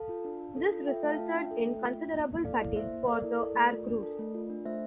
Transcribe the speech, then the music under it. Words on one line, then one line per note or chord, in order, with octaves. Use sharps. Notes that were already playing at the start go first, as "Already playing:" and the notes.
This resulted in considerable fatigue for the air crews.
Already playing: A4 F5 A5
F4
D4
D4
A4
F4
A4 E5 G5
A3
F5 A5
F4
D4 E5 G5
A4
A3
F4
D4
A#3
A#3
A4 D5 F5
E4
A#3 C5 E5
A#3
A4 A#4 D5
E4
A4
A3
F4
D4
A4
A3
F4
D4
A3 C5 E5